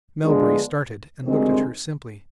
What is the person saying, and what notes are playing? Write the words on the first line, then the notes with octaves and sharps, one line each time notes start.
Melbury started, and looked at her simply.
D3 F3 G#3 B3 D4
D2 C3 D#3 G#3 C4